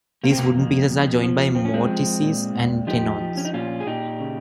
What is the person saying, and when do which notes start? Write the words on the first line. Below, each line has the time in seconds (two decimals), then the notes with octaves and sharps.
These wooden pieces are joined by mortices and tenons.
0.24 C3 A#3
0.31 C4
0.39 A#3
0.57 F2
0.89 F2
1.22 F3
1.55 F3 C4
1.65 C#4
1.74 G#3 C4
1.88 F3
2.21 A#2
2.55 A#2
2.87 F3 D#4 G4
3.20 F3
3.37 C#4
3.45 D#4
3.53 A#2 C#4 F4
3.80 G#4
3.86 A#2 D#4 G4
4.20 C#3